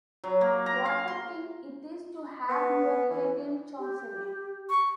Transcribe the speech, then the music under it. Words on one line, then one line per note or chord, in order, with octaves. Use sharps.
What a thing it is to have your head in chancery.
F#3
A#3
A#5
F5
C6
B3
E3
G4
C#6